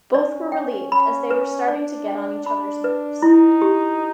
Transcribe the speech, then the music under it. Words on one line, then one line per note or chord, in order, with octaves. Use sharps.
Both were relieved, as they were starting to get on each other's nerves.
C#4 D5
G5
C#4 B5
B4
D4 D5
G5
D4 B5
B4
D#4 E4
G4